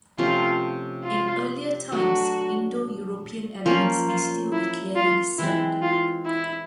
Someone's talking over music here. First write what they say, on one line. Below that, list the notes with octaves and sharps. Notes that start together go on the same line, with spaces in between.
In earlier times, Indo-European elements may still be clearly discerned.
C3 F3 A3 C#4 F4
F4
F#3 A3 D4 F#4
F3 A#3 C#4 F4
F4
E4
F4
E3 G#3 C4 E4
F4
E4